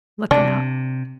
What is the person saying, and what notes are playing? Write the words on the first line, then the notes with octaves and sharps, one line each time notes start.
looking out.
C3 D4